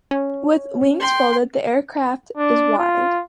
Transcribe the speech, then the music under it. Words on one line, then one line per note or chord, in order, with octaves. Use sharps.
With wings folded the aircraft is wide.
C#4
G5 C6
D4
F4